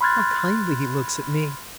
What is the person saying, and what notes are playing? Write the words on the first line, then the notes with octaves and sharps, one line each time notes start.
How kindly he looks at me!
B5 C6 F6 F#6 G#6 A6